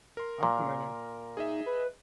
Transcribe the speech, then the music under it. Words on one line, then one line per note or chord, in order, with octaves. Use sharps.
I'm familiar.
A#4 C6
A#2
D#4 G#4 D#5 E5
B4